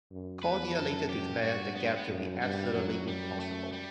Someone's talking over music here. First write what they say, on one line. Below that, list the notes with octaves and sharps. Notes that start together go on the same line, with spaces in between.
Cordier later declared the gap to be "absolutely impossible".
F#2
E2 B4
F#2 A4
G4
G2 F#4
B3
C4
B3
F#2
G2 G3
F#2 F#3
G3
A3
G3